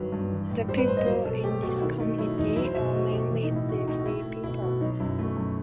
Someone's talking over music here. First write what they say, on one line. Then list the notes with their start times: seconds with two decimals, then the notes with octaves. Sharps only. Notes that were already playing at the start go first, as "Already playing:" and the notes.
The people in this community are mainly Sefwi people.
Already playing: G2 D#3 F#3 B4
0.12 G2
0.32 E3
0.50 A2
0.68 G3 C5
0.78 B4
0.87 A2 C5
0.97 D#5
1.06 F#3 C5
1.25 B2 A4
1.44 A3 G4
1.62 B2 F#4
1.76 F#4
1.81 D#3 E4
2.00 A3 D#4
2.18 F#3 E4
2.38 E2 D#4
2.56 F#3 E4
2.65 C5
2.74 B2 E5
2.85 D#5
2.93 A3 F#4
3.12 B2 G4
3.30 E3
3.43 D#4
3.49 A2
3.56 E4
3.69 A3 F#4
3.87 A2 D#4
3.99 F#4
4.06 A3 E4
4.24 A3
4.43 B2 E4
4.62 B2 F#4
4.81 F#3 D#4
5.00 F#2 E4
5.18 A3 F#4
5.36 F#2